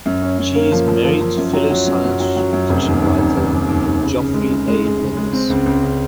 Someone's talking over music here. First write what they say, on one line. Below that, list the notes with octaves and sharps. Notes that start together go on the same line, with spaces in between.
She is married to fellow science fiction writer Geoffrey A. Landis.
F#2
C#4
F#2
A#3
F3
F3
F3
F3
F#2
F#3
F#3
F#2
F#2
F#3
F#3
F#2
F1
D#2
D#2
F1
D#2
F1
D#2
D#2
C#3
C#3
G#3
C#3
G#3
G#3
C#3
G#3
C4
C#2
C#2
C#3